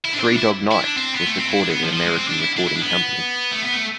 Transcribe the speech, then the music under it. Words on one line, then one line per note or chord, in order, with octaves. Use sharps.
"Three Dog Night" was recorded at American Recording Company.
E4
D4
C4
D4
E4
E4
D4
C4
B3
A3
C4
E4
D4
B3
F3
F3
G#3
C4
D4
E4
D4
E4
D4
B3
A3
B3
A3